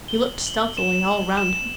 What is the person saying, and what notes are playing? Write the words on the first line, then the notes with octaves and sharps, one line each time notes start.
He looked stealthily all round him.
G7
F#7
F#7
E7
F#7
E7